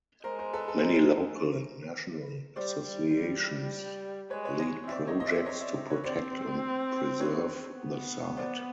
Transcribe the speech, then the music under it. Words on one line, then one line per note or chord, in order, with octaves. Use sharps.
Many local and national associations lead projects to protect and preserve the site.
G#3 A#4 C5
A#4 C5
A4 B4
A4 B4
A#4 C5
G3 C5 D5
G3
G3
G#3 B4 C#5
B4 C#5
C#5 D#5
C4 D5 E5
C#5 D#5
D#5
D5 E5
C#5 D#5
D5 E5
B4 C#5
C4 C5 D5
B4 C#5
B3
C5 D5